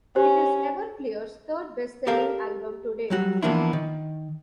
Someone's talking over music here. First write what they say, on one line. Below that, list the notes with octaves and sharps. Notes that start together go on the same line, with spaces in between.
It is Everclear's third-best-selling album to date.
C#4 G4 C5
G4 A4 A#4 F5
F#3 G3 F#4
E3 F3 A#3 B3 D4 E4
D#3